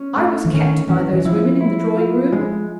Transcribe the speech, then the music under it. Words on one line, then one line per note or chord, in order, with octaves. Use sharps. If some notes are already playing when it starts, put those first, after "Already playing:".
'I was kept by those women in the drawing-room.
Already playing: C#4
A3
E3
D#3 C#4
E3 C#4
E3
F3 E4
E4
F4
G#3